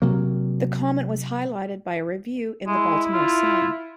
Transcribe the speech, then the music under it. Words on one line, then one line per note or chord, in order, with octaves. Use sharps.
The comment was highlighted by a review in the "Baltimore Sun".
C3 F#3 A#3
G#3 E4
F4